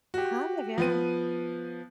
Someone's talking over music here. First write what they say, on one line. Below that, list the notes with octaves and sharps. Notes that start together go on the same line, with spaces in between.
Kind of, yeah.
F#4 G4
F3 B3 D#7